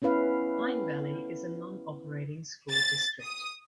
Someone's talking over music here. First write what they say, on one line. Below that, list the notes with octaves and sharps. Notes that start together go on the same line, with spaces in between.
Pine Valley is a non-operating school district.
B3 C#4 E4 B4 F5
A6
D#6